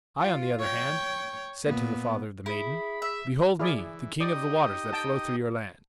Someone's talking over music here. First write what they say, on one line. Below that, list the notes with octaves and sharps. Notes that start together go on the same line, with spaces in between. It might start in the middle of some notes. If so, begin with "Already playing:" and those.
I, on the other hand, said to the father of the maiden, 'Behold me, the king of the waters that flow through your land.
F4
C#5 G5
A#2 B3
E4 G#4 B5
E5
E4 G#4 D5 F5
E3
D#4 G4 D5 D#5
G5 A5